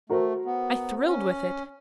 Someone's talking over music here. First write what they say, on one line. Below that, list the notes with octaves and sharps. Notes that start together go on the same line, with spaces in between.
I thrilled with it.
A3 F#4 A#4 C5
B3
C#4